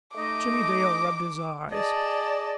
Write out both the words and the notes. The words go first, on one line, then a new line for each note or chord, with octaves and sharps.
Jimmie Dale rubbed his eyes.
A3 D#4 D#5 D6
G#4 D5 D#5 A5